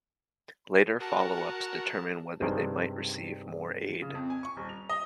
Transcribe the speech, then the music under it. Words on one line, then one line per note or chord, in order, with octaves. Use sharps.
Later follow-ups determine whether they might receive more aid.
F#4 A#4 A5
G2 C3 D#3 G#3 C5 D5
C#3
F2
G#5
C#6
D#1
F7
D#5